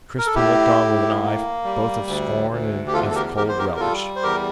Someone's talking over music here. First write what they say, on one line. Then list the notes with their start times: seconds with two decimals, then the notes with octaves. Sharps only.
Crispin looked on with an eye both of scorn and of cold relish.
0.19 A#4
0.26 A4
0.35 A2 E4 G4
0.78 A2
1.22 A#3
1.64 G3
2.07 D2
2.51 D2
2.88 G4
2.93 E2 F4 A4
3.10 A4
3.15 G4 A#4
3.36 E2 G4 A#4
3.49 C5
3.58 G4 A#4
3.76 A#4
3.80 G3 F4 A4
4.16 C5
4.23 E2 G4 A#4